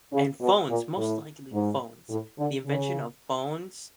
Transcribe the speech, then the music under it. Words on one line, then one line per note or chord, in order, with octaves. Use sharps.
and phones, most likely phones. The invention of phones,
C#3
B2
A#2
A2
G#2
A2
D3
C#3